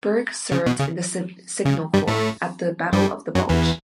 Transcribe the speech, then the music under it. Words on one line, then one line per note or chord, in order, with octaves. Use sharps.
Berg served in the Signal Corps at the Battle of the Bulge.
C#3
B2
C#3
C#3
G2 G3
A2 A3
G2 G3
F#2 F#3
E2 E3